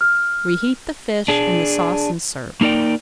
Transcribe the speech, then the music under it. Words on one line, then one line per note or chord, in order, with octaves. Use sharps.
Reheat the fish in the sauce and serve.
F6
D4 G#4
A#3 D#4 A#4 D5 G5